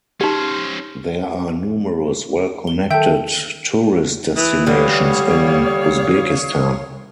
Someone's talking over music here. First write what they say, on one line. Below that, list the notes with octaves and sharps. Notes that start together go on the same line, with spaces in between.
There are numerous well connected tourist destinations in Uzbekistan.
C#4 D#4 G4 C5
G7
D#3 A4 E5 G5 G6
E3 D#6
D3 E3 G3 C#5 F5